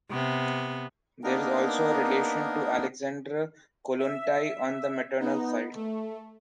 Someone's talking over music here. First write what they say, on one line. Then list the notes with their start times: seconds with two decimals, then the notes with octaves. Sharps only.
There is also a relation to Alexandra Kollontai on the maternal side.
0.11 C3 B3
1.24 A#3 B3 D4 D#4 A#4
3.99 E5
5.20 B3 D#4
5.75 A3